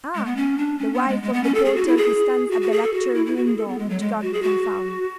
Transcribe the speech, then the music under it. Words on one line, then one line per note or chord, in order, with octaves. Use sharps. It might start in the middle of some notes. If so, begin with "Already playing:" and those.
'Ah! the wife of the porter who stands at the lecture-room door, which God confound!
G#3
B3
C#4
D4
C#4
B3
G#3
G#3
B3
C#4
A4
G#4
F#4
E4
G#4
F#4
F#4
G#4
A4
F#4
E4
E4
F#4
G#4
A4
B3
G#3
F#3
G#3
F#4
G#4
F#4